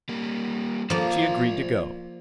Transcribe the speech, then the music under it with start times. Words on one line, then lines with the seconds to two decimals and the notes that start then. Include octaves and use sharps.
She agreed to go.
0.09 G3 A#3
0.90 F3 A#3 C5 D5